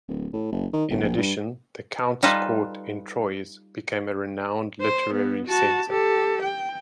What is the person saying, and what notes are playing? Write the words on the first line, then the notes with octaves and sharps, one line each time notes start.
In addition, the count's court in Troyes became a renowned literary center.
D1
A2
F#1
D#3
G1
A#1
G2
G3 D#4 F4 A4 B4 D#5
C5
B3
F#4 A5
G4 A4
G5